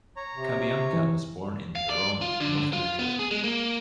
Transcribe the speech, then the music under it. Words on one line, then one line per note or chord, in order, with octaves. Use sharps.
Cabianca was born in Verona, northern Italy.
C#5 A#5
C3
E3
F5
D5
F4
D3
F4
B3
G#4
G#3
A#3